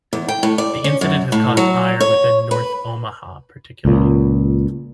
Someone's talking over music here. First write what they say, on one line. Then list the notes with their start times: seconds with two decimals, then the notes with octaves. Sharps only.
The incident has caused ire within North Omaha particularly.
0.13 E2
0.28 G5
0.43 A2
0.58 D5
0.84 C#4
1.01 F#2
1.32 A2
1.57 F#3
2.00 C#5
2.51 B4
3.85 C#2 A#2